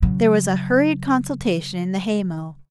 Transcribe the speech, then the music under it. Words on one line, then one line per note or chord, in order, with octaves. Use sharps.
There was a hurried consultation in the hay-mow.
C#3 F#3